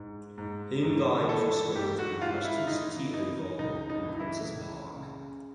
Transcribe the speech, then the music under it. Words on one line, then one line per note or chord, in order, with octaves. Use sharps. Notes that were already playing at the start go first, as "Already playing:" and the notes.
Home games were split between Preston City Oval and Princes Park.
Already playing: G#2
G#2
G#2
E3 A4
G#2 G4
F#4
G#2 F4
E4
E3 D#4
E3 D#4
C#2 D#4
D#4
E3
E4
C#2
C#3